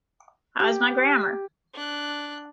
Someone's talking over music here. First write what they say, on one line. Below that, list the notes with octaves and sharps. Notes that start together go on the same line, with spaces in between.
How is my grammar?
G4
D4 F#6